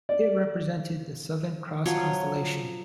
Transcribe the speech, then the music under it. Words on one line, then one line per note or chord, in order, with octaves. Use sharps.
It represented the Southern Cross constellation.
D5
F3 F#3 C#5